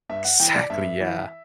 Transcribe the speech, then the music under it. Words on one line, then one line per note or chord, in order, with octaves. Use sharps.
Exactly, yeah.
G2 E5
F#5
E3 G5
D5
G2 E5
E3